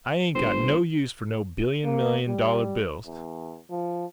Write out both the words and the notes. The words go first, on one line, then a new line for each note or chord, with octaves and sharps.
I ain't got no use for no billion million dollar bills.
G1 C5
A#3
G3
E2
F3